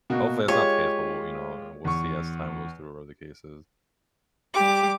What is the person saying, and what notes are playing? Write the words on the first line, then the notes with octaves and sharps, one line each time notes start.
hopefully, that's not the case, but we'll, you know, we'll see as time goes through whether the case is.
B2 A#3 F#4
G#3 F4 G4 C#5
E2 C#6
G3 G4 D6